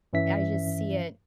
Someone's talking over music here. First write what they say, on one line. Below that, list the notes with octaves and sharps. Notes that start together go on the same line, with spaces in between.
I just see it
G2 E3 C#4 E5 B6